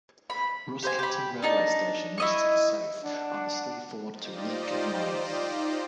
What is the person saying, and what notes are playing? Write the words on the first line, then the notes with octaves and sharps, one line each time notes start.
Ruskington railway station is to the south, on the Sleaford to Lincoln line.
B5
G4 C5 G#5
G4 B5
D4 D#4 A5
E4 D#5 C#6
D4 F#5
D#4 F4 G4 C5 D5 D#5